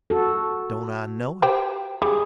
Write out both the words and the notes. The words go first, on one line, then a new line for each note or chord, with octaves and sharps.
Don't I know it!
F#4 A4
G4 C5 G5
G3 G#4